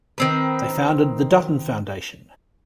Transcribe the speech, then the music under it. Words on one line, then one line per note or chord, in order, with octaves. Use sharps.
They founded The Dutton Foundation.
D#3 C4 B4